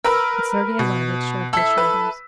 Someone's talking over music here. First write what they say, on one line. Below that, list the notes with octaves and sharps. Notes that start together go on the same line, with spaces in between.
But Sergey Ivanovitch shrugged his shoulders.
A#4 B4 E6
B2
E4 A4 E6 B6
B4